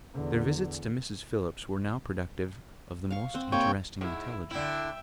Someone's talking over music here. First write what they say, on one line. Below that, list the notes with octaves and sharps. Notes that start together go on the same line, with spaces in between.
Their visits to Mrs. Phillips were now productive of the most interesting intelligence.
E2 D3
F5 C#6
C4 F#5
C3 A#3 C#5 G5
G#2 E4
D3 E4 E5 G5